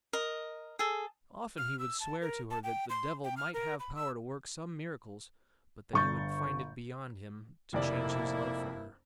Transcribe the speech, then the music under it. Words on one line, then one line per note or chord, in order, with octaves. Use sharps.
Often he would swear to her that the devil might have power to work some miracles, but that he would find it beyond him to change his love for her.
A#4 D#5
G#4 A4
F6
E6
A5
A#4
A5
G5
C6
G5
F6
A#4
B5
E6
G1 D3 C#6 G6 A6
F1 F2 A#3 E4 D5